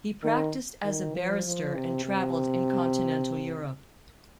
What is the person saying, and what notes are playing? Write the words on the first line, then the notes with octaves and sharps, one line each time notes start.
He practised as a barrister and travelled in continental Europe.
D#3
D#3
F3
F3
C3
C3